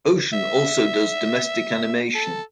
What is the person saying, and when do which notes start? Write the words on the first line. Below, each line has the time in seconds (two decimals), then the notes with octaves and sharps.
Ocean also does domestic animation.
0.33 E5
2.14 A4